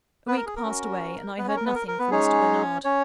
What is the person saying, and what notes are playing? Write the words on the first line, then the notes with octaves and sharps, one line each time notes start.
A week passed away, and I heard nothing from Mr. Bernard.
B3 B4
A#4
G#4
A#4
C#4 F#4
B3 B4
C#4 C#5
A#4
B3 B4
A#4
A#4
B3 B4
G#3 C#4 D#4 G#4 C#5
C#4 C#5